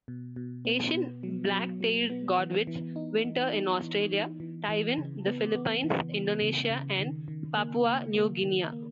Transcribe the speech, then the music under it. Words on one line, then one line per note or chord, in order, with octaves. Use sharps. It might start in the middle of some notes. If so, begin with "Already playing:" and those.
Asian black-tailed godwits winter in Australia, Taiwan, the Philippines, Indonesia, and Papua New Guinea.
B2
B2
B3
B2
F#3
F#3
F#3
B3
E3
E3
D#4
E3
D#4
E3
E3
E3
E3
C#3
B3
B3
E3
E3
C#3
C#3
D#3
D#3
A#3
A#3
A#3
D#3
A#3